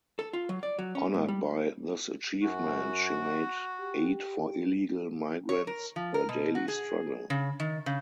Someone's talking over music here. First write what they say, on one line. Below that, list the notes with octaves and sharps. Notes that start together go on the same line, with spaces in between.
Honored by this achievement she made aid for illegal migrants her daily struggle.
A4
F4
F#3
D5
F#3
C#4
G#2
G3
F#2 F#4
G4
C#5
A#4
F3
A#4
B2
F#4
G#4
C#3
D#3
C#3